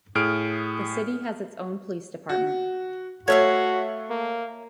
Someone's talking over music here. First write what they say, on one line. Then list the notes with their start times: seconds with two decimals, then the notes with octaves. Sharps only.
The city has its own police department.
0.15 A2 G#4 F6 D7
2.29 F#4
3.28 A3 F#4 C#5 E5 F5
4.10 A#3